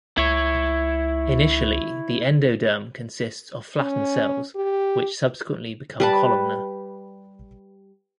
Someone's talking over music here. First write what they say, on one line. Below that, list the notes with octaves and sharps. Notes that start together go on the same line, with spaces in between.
Initially, the endoderm consists of flattened cells, which subsequently become columnar.
C#2 E4 C#5
C#4
G4
G3 B4 A5